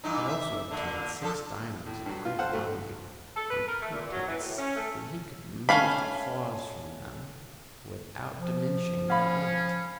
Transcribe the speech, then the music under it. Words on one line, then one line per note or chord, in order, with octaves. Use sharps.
He also obtained six diamonds of great value, on pretence that he could remove the flaws from them without diminishing their weight.
G2 E3 D#4
E5
A#2 D3
F3 D4 A4
A2
G2 F#3
F4
A4 C5 F5 F#5
F#3 A3
A4
B4
A#4
A3
A#2
F#3
E3
A2
C#4
A3
A3 C#4 F5 B5
F3
C#4 F5 B5